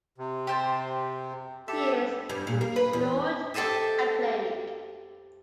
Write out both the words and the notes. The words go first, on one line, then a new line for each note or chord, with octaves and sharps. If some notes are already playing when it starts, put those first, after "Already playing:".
He is, in short, a plague.
C3
G4 C5 A5
G4 A4 E5
G2
A#2
A#3
B4
E2
G4 A4 C5 D#5 E5